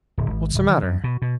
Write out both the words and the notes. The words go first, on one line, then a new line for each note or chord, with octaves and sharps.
"What's the matter?"
D1
G#1
D1
D#3
F#2
B2
B2